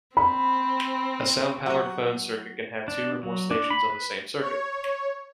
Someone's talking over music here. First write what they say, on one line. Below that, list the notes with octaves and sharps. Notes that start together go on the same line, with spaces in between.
A sound-powered phone circuit can have two or more stations on the same circuit.
C4 B5
F#3 F#4 F#5
D4
F#3
D4
B5
B4
C#5